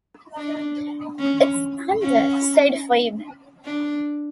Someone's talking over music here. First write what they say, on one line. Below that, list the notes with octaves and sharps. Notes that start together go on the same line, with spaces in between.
"It's thunder," said Phebe.
D4
C#4
C#4
D4